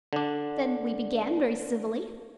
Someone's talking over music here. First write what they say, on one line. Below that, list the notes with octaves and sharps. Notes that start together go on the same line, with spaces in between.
Then we began--very civilly.
D3 D4